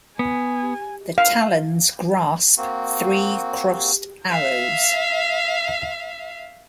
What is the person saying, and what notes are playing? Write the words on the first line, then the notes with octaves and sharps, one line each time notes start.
The talons grasp three crossed arrows.
B3 G#5
F5
A#3 C4 F#4
E5 F5